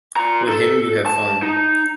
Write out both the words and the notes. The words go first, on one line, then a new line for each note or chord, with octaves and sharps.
With him, you have fun.
F4 A#5
A4
A5
D#4